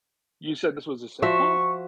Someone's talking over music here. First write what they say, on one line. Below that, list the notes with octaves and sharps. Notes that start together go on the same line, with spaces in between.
You said this was a sitcom?
F3 F#4 E5 C#6